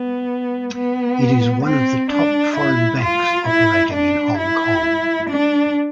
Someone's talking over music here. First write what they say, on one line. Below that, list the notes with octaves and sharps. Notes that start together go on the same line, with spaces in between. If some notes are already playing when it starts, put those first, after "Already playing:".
It is one of the top foreign banks operating in Hong Kong.
Already playing: B3
B3
C4
D4
E4
F4
E4
D4
E4
D4